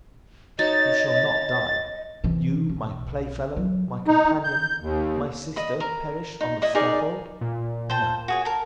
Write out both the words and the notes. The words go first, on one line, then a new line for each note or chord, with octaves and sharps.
You shall not die! You, my playfellow, my companion, my sister, perish on the scaffold! No!
D#4 F#4 C#5 D#5 A6
C3 E3
B1
F#3
D#4
G6
D#2
D#5 B5
A#4
D#4
E4 D#5 D#6
D#4 G#4 A#4 D5
A#2
C5 G5 A5
F#4 G#4 C#5
A#4 A5